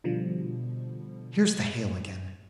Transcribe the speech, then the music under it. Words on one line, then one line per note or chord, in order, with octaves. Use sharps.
Here's the hail again.
B2 D3 F3 G3